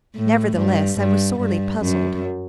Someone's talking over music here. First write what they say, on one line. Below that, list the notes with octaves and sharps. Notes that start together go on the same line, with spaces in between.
Nevertheless, I was sorely puzzled.
A2
G2
G2
G2
F#2